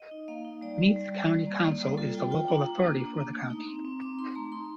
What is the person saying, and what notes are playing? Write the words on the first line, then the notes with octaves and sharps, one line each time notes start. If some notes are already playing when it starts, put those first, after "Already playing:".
Meath County Council is the local authority for the county.
Already playing: D#5
D#4
A#3 F5
D#4
G3 D5
G3
G3
G3
G3
A#3
A#3
G3
F4 A4
F4 G5
F4 G5
D4 A#5
D4
A#3
D4
A#3
A3
D#4
C4
C4
C4 D6
D#4 C6
A3 A#5
D#4 C6